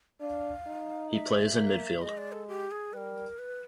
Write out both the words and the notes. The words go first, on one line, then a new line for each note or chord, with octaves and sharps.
He plays in midfield.
D4 F5
D#4
E5
A#3
G#3 D#5
D5
A4
G4
G#4
G3 A#4 B4
B4